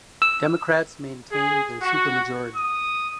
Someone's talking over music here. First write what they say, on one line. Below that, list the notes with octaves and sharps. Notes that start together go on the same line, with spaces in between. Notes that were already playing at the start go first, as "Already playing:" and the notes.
Democrats maintained their supermajority.
E6
G#4
F#4
D#6